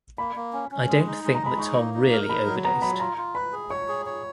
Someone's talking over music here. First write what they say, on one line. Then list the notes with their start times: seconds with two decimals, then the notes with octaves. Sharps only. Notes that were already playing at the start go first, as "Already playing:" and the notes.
I don't think that Tom really overdosed.
0.18 A#3 B5
0.36 A#3
0.53 C#4
0.71 C#4
0.88 G#3
1.07 D#4
1.24 G#3
1.35 A#5
1.42 G#3 B5
1.59 D#4 C#6
1.77 A#3
1.94 D#4
2.12 A#4
2.29 D#4 B5
2.47 F#3
2.65 B3 A#5
2.82 F#3 B5
3.00 F4 A#5
3.17 F4
3.35 B4 B5
3.53 G#4
3.70 C#5 C#6
3.88 G#4
4.06 C#5